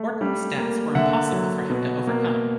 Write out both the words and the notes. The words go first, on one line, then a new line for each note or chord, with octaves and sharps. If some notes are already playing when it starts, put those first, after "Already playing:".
Wharton's debts were impossible for him to overcome.
Already playing: A3
G3
A#3
D3 E5 F#5
F#3
B2
A#3